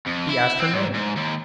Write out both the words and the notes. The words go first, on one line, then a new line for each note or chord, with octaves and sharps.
He asked her name.
F2
E4
C4
G#2
G#2
D#2